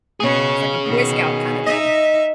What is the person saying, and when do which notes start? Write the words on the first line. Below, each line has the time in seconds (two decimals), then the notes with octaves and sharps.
It's like a Boy Scout kinda thing.
0.20 B2 C#4 G#4 C#5
0.86 B2 D#3
1.66 D#4 D#5 E5